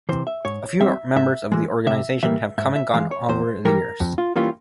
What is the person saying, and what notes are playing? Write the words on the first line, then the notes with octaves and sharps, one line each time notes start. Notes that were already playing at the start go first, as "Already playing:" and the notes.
A few members of the organization have come and gone over the years.
C3 E3 C5
E5
G#2 C#5
G3 C4 E5
G#2 E5
E3 G#3
C3 E5
E3 G3 A#3 E5
G#2 E5
E5
E3 G#3 F5
C#5
E2 C5
E3 G3 A#4
F2
F4
E3 G3 A#3 C#4 F4